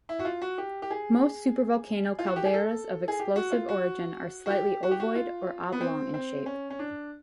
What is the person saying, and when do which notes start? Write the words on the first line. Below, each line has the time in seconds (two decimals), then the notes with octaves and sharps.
Most supervolcano calderas of explosive origin are slightly ovoid or oblong in shape.
0.09 E4
0.19 F#4
0.25 F4
0.42 F#4
0.58 G4
0.82 G4
0.90 G#4
2.19 F4
2.27 F#4
2.36 G4
2.45 G#4
2.54 A4
3.08 G#4
3.19 G4
3.36 F#4
3.52 F4
3.69 F#4
4.46 F#4
4.50 G4
4.83 F#4
4.91 G4
5.00 F#4
5.15 F4
5.72 B3
5.81 C4
6.14 C4
6.46 C#4
6.70 C#4
6.79 D4